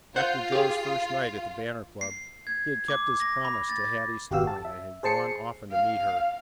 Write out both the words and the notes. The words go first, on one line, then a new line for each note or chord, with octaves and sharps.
After Joe's first night at the Banner Club he had kept his promise to Hattie Sterling and had gone often to meet her.
F4 C5 F#5 G6
G4 G#4
C7
G#6
D6
A#6
B5
A6
G#1 F#4 G4 F5 E6
A5
E5
G#4 C5 A5 C7 C#7
F5